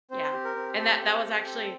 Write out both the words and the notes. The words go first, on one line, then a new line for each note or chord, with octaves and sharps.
Yeah, and that that was actually
C4 C5
G4
A#4
C4
G4 A4
C4
G4
C4